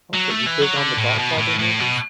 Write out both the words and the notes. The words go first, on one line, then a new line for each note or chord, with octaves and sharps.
Okay. You big on The Godfather movies?
F#3
A3
E3
F#3
D3
A2
B2
A2
A2
B2